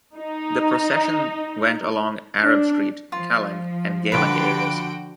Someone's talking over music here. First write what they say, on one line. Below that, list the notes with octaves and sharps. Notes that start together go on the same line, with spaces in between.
The procession went along Arab Street, Kallang and Geylang areas.
D#4
D4
F3 F4
D3 F4 F#4 B4 G5 D7